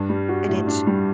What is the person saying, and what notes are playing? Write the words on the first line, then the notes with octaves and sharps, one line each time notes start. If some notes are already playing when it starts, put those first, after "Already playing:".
and it's
Already playing: G2 D4
G3
F#4
A2
D4
G3